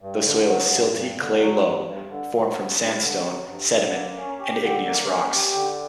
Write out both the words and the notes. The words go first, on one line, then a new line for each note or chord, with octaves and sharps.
The soil is silty, clay loam formed from sandstone, sediment, and igneous rocks.
G2
D3
F#3
G2
G2
D3
F#3
G2
G2
D3
F#3
G2
G2
D3
F#3
G2
D3
A#3
C#4
G4
D3
A#3
C#4
G4
D3